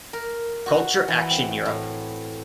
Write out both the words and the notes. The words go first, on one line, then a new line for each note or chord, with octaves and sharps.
Culture Action Europe.
A#4
F#4
E3
C4
A2